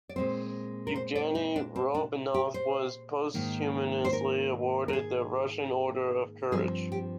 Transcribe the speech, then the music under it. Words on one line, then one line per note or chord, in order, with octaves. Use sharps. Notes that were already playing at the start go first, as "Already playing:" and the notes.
Yevgeny Rodionov was posthumously awarded the Russian Order of Courage.
D5
A#2 G#3 C4 C5
A#4
C5
D5
D#4
D4
C4
D4
G4
C5
G#2 D#3 A#3
C5
A#4
A#4
G#4
G2 F3 C4 G#4
G4